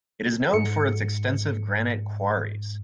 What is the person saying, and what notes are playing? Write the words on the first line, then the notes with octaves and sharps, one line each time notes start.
It is known for its extensive granite quarries.
G#2 C#7